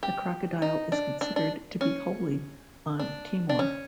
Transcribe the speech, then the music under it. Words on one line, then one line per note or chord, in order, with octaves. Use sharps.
The crocodile is considered to be holy on Timor.
G4
D#4
D4
D4
D4
C#4
D4
D4
C#4